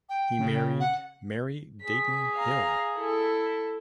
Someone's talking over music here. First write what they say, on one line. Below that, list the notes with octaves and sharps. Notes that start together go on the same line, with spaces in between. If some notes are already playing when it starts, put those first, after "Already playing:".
He married Mary Dayton Hill.
G5
C#3
F#5
G#4 B6
F5 A#5
E4 A4